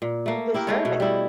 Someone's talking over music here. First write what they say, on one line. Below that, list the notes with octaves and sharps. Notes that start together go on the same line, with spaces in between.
you deserve it.
A#2
A3 A#3
E4 G4 A#4
G#3 A3 C#5
B2
G3 E4